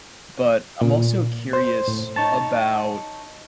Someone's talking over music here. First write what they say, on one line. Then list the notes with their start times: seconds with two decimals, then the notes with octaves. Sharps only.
But I'm also curious about
0.81 A#2
1.53 C5
1.88 A2
2.16 D#4 C#5 A5